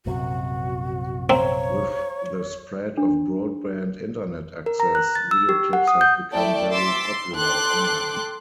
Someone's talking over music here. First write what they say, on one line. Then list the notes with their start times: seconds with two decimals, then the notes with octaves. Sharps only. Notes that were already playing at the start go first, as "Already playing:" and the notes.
With the spread of broadband Internet access, video clips have become very popular online.
0.06 A#1 F#2 C3 F#4
1.30 C4 C5 C#5 F5 A#5
2.98 D4
4.66 A#4
4.80 A#5
4.95 F#6
5.15 A6
5.31 E6
5.49 G4
5.73 F#5
5.88 D#6
6.01 G6
6.32 A3 E4 D5 G5 A5
6.71 C6 D6 E6 A6 B6
7.03 C6
7.36 A4 G5 C6 D6 F#6